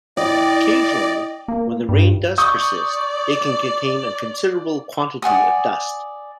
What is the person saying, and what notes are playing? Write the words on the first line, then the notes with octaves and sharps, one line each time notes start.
Occasionally, when the rain does persist, it can contain a considerable quantity of dust.
E4 D5 D#5 G5
A#3
G2
D5 C#6 D#6 G6
D5 F#5 G#5 D#6